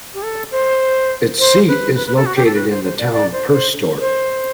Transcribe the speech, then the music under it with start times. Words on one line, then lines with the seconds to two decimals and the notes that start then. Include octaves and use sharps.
Its seat is located in the town Perstorp.
0.14 G4
0.23 A4
0.51 C5
1.39 C5
1.68 B4
1.96 B4
2.07 B4
2.16 A4
2.26 F#4
2.36 G4
2.45 A4
2.55 B4
2.69 C5
2.84 C5
2.98 D5
3.13 D5
3.32 C5
3.52 C5
4.00 C5